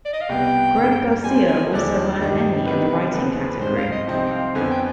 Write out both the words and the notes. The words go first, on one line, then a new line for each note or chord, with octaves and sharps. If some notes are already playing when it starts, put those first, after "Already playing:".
Greg Garcia also won an Emmy in the writing category.
D5
D#5
F5
C2 B2 G3 B3 G5
G2 D3 G#3
B2 G3 C4 G#5
G#5
D#2 D3 F3 G#3 D4
G2 D#3 G3
C3 D#3 G3 B3 B4
D#2 D3 F3 B3 B4
G#4
B4
G#2 G3 C4 C5
F5
D#5
C2 C3 F3 C4 D#4
G5
F5
F2 D3 F3 B3 G#5
G5